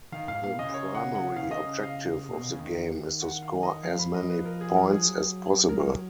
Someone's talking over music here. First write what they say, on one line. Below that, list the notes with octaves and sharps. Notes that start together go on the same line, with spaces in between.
The primary objective of the game is to score as many points as possible.
D#3 F5
G#2 F5
A#2 F5
B2
C#3 D#5
C#5
F#5
F#5
C#3 F5
D#3 D#5
C#3
F5
A#2
B2
C#3
D#3
F#5
F5
D#5
F3 F5
B5
D#5
B4
A#4
G#4
A#4
G#4
F#3
A#4